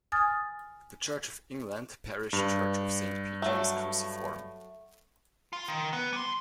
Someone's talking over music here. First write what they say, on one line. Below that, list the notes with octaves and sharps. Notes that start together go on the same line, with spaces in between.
The Church of England parish church of Saint Peter is cruciform.
G#5 D#6 F6 G#6 A6
G2
F#3 A3
F4
D#3
B3
G3 C6